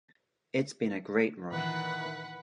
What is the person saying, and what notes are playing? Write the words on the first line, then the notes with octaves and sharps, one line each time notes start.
It's been a great run.
A#2 D#3 E3 B4 F#5